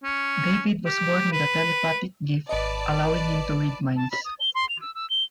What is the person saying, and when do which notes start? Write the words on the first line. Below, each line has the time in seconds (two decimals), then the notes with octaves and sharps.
David was born with a telepathic gift allowing him to read minds.
0.04 C#4
0.85 G4
1.32 B4
2.49 G#1 B4 D5 D#5 A5
3.96 A5
4.11 B5
4.25 D#6
4.40 G7
4.55 C6
4.69 F7
4.81 E6
4.95 E6
5.10 G7